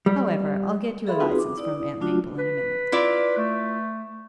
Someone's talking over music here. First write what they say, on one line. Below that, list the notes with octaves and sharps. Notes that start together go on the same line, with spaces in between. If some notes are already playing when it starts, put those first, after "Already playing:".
However, I'll get you a licence from Aunt Maple in a minute.'
G3
G#4 A4 E5 F5 B5 C6
C4 D#4 F4 F#4 G#4 B4
D6
E4 D5 D#6
F#3 A3 D4 F4 F#4
B4
E4 F4 D5
A3